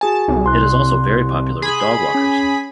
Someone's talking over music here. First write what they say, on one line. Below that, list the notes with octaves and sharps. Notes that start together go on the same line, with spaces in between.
It is also very popular with dog walkers.
F#4 G#4 G#5 A5
C2
C6 F#6
G#4 B5
C#4